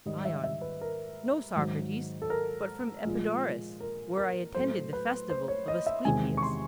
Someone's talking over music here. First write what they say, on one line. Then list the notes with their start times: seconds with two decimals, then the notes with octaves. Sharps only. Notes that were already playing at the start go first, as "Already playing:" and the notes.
ION: No, Socrates; but from Epidaurus, where I attended the festival of Asclepius.
0.06 G#2 D#3 G3 D#5
0.25 E5
0.44 E5
0.61 B4
0.81 A#4
1.56 G#2 D#3 F#3
2.22 A4
2.30 A#4
3.05 A#2 F3 G#3
3.80 A#4
4.17 A#4
4.55 A2 F#3 A3 C5
4.93 B4
5.30 C5
5.48 C#5
5.68 D#5
5.86 E5
6.05 E2 C3 D#3 G#3 G#5
6.37 C#6
6.43 C6